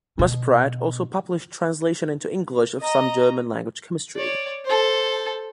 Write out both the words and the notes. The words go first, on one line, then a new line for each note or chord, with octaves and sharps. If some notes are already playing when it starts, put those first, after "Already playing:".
Muspratt also published translation into English of some German-language chemistry.
B2
D#5 A#5
C#5 D5
A4 C5